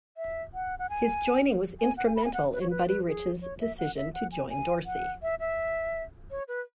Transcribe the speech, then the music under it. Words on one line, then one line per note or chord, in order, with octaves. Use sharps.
His joining was instrumental in Buddy Rich's decision to join Dorsey.
E5
F#5
F#5
G#5
G#5
F#5
G#5
B5
G#5
F#5
B4
C#5
B4
B4
G#4
C#5
E5
F#5
E5
F#5
G#5
G#5
F#5
E5
E5
C#5
B4